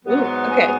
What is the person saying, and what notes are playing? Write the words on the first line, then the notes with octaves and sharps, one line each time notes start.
Ooh, okay.
G#2 F#3 B3
G#4